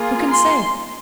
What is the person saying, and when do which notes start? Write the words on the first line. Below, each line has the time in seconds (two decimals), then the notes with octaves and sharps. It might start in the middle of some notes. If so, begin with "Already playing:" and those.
Who can say?
Already playing: A#3 F4 G#4
0.30 C6